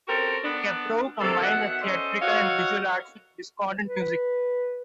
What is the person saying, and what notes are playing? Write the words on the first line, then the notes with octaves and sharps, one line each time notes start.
Kaprow combined the theatrical and visual arts with discordant music.
C4 C#4 F#4 G4 A4 A#4
B3 D4
C3 A#3 D4 A4
B2 D#3 E5 F#5
C#4 A4 C5 D5 D#5
F#4 A4 C#5 D#5 F5
B4